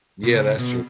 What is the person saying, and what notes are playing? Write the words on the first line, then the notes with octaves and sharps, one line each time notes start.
Yeah, that's true.
B2
C#3
B2